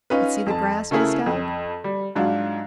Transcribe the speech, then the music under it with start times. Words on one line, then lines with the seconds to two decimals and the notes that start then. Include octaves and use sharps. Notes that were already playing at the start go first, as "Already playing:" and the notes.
But see the grass missed out!
0.10 C#4 D#4 F4 B4
0.46 F2 A5
0.91 C#3 A3 C#4 E4 G#4 A#4
1.26 F2
1.84 G3
2.15 G#2 F#3 D4 F4